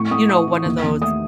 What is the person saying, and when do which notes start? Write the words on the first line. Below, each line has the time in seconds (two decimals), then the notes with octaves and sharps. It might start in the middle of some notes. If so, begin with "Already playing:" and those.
you know, one of those,
Already playing: A2 C#6
0.11 A2 D#6
0.29 A3 D#6
0.47 E3
0.65 D#2
0.83 D#2
1.02 A3 D#6